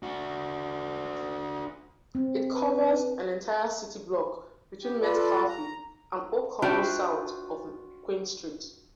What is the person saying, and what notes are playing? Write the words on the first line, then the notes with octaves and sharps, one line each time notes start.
It covers an entire city block between Metcalfe and O'Connor south of Queen Street.
D4 F#4
C4
B4
G4
F4 A4 B4 D5
A#5
D4 F4 F#4 C5 E5 G5